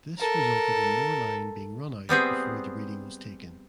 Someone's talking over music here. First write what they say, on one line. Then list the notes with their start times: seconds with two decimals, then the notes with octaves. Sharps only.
This resulted in more line being run out before the reading was taken.
0.19 A4 A#4
2.09 G3 B3 C4 G#4